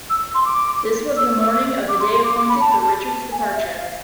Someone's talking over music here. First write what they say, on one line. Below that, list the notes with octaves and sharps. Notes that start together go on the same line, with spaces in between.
This was the morning of the day appointed for Richard's departure.
E6
C6
D6
E6
D6
C6
C6
D6
D6
B5
A5
G#5
F5
E5
F5